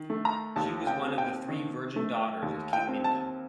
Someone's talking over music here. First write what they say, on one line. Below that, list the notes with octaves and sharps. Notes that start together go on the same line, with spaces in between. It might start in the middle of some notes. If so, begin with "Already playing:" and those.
She was one of the three virgin daughters of King Mindon.
Already playing: D#3
A3
A#5
D#2 A5
G5
C4
G5
D#3
A3
D#2
G5
C4
A5